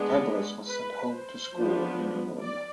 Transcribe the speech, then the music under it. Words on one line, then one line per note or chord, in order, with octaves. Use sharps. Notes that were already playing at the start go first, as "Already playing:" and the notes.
Douglas was sent home to school in England.
Already playing: G#3 B3 D4
B4
C5
F3 B3 D4
D5